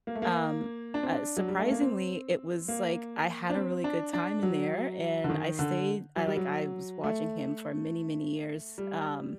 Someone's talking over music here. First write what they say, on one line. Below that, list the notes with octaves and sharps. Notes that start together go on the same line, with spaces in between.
um, uh, surprisingly, it was, like, I had a really good time in there, and I stayed I, like I was watching him for many, many years. Um,
A#3
A3
A#3
D4
C4
D4
F#3
G3
A3
A#3
C4
A#3
D4
C4
D4
D4
F#3
D3
D#3
D3
F#3
G3
F#3
A3
G3